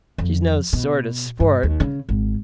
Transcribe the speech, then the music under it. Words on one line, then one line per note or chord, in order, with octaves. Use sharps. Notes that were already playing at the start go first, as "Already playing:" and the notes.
She's no sort of sport.
F2
B2
G2
D#2
C#3
G#1